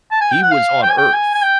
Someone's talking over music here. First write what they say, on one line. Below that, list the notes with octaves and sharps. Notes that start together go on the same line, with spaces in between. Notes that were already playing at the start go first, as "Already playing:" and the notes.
He was on Earth.
A5
G#5
G5
F#5
F5
G5
G#5
G5
G#5
G#5
G5